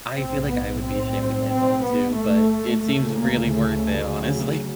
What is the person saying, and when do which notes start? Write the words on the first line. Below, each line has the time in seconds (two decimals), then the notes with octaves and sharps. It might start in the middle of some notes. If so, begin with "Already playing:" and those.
I feel like I would be ashamed of myself too, but it seems really worth it, honestly.
0.16 B1 A2 C4
0.49 B3
0.83 C4
1.50 C4
1.84 B3
2.17 A3
2.84 D2 C#3 A3
3.18 A#3
3.51 A3
4.18 F#3